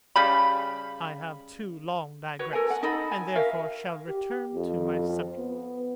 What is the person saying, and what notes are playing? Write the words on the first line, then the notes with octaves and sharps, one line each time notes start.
I have too long digressed, and therefore shall return to my subject.
C#3 G3 B5
F#4 B4 C#5
A4 A#4 G#5
F#5
D#4 A4 D#5 B5
G#5
F#4 A#4 E5 F5
G4
F2
B3